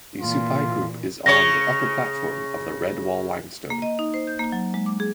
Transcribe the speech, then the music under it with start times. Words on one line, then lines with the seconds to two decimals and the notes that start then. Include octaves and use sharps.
The Supai Group is on the upper platform of the Redwall Limestone.
0.20 A#2 E3 F4
1.26 C#3 C#5 A#6
3.70 A#3
3.82 D#5
3.99 D#4
4.14 C5
4.27 G6
4.39 A#3
4.52 F#3
4.74 G#3
4.86 D6
5.00 G#4